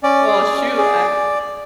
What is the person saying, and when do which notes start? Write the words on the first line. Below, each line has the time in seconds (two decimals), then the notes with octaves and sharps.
Well, shoot. I'm
0.03 C#4 D5
0.28 G#4
0.53 C#4
0.77 G#4